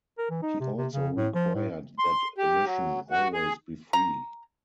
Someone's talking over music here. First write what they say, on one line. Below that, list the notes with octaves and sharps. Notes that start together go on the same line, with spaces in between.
He also required that admission always be free.
A#4
E3
D#4
C3
C3
C#3
A2
F3
A2
C6
G4
F#3
F#4
G#4
A#5